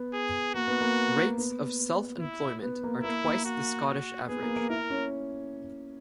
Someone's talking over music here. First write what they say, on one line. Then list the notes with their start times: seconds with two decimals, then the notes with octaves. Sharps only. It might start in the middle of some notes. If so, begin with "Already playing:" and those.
Rates of self-employment are twice the Scottish average.
Already playing: B3
0.13 G#4
0.54 A#3 F#4
0.68 B3
0.81 A#3
1.38 B3
2.20 E4
2.62 B3
2.83 A#3
3.03 A#3 E4
3.24 A#3
3.45 F#4
3.86 F#4
4.29 B3 G#4
4.42 A#3
4.56 A#3
4.69 E4 A#4
4.90 C#4